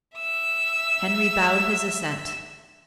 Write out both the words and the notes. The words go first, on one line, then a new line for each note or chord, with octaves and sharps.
Henry bowed his assent.
E5 E6